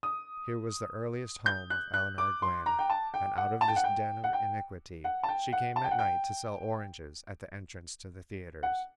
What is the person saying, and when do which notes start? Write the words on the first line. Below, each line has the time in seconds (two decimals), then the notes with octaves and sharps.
Here was the earliest home of Eleanor Gwyn, and out of this den of iniquity she came at night to sell oranges at the entrance to the theaters.
0.03 D#6
1.46 G6
1.70 F#6
1.94 F#6
2.18 D6
2.42 C6
2.66 A#5
2.79 G5
2.90 A5
3.14 G5
3.38 F#5
3.61 A5
3.68 G5
3.76 F#5
3.84 G5
4.24 F#5
4.33 G5
5.04 F#5
5.23 A5
5.29 G5
5.53 F#5
5.76 A5
5.84 G5
5.91 F#5
5.99 G5
8.63 F#5